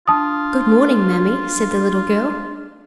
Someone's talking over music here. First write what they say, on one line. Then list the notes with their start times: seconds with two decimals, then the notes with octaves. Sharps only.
"Good morning, mammy," said the little girl.
0.08 D4 F4 A5 D#6